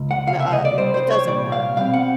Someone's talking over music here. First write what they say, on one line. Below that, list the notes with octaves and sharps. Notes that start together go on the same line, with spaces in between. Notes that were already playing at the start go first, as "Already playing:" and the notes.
ma uh, m it doesn't work.
Already playing: C#2
F#5
C#2 C3 F5
E5
D#5
D5
C2 A#2 G3 C5
C5
C#5
C2 A#2 G3 D5
F5
B2 G3 C4 F5
F#5